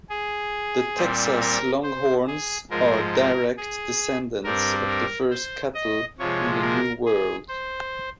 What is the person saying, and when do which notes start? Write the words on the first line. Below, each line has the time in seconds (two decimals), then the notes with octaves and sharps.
The Texas Longhorns are direct descendants of the first cattle in the New World.
0.09 G#4
0.97 A#2 G3 C4
1.41 A#4
1.84 C5
2.27 G#4
2.70 G#2 F3 G#3 A#4
3.14 A#4
3.57 G#4
4.44 G2 G3 C4 A#4
4.88 A#4
5.31 C5
5.75 D#5
6.19 C3 F3 G#3 C#5
6.62 A#4
7.06 G#4
7.49 C5